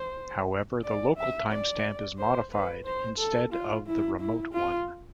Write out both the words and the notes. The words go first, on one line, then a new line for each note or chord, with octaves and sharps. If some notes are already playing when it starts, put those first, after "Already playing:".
However, the local timestamp is modified instead of the remote one.
Already playing: C5
D5
E5
D5
C5
B4
C5
A4
F4
E4
E4
F4